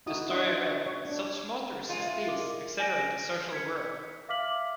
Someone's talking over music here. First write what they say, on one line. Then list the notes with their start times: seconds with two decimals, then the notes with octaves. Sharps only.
The story read, Such motors as these accelerate the social whirl.
0.06 D#4 E4 F#4 D#6
0.29 D4 F#4 D#5 E5 F#5 C6
0.86 C#5
1.05 D4
1.89 G#3 F4
2.07 E5
2.26 E4 A#4 D6
2.80 G#5 A#6 D7 D#7
3.52 G#6 B6 C#7
4.28 E5 F5 D6 F6 B6 F#7